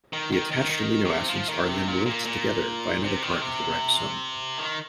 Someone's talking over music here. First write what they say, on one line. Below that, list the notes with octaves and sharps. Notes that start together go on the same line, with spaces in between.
The attached amino acids are then linked together by another part of the ribosome.
D#3
D#3
D#3
D#3
D#3
C3
F3
D#3
C3
A#2
A#2
A#2
C3
D#3
C3
D#3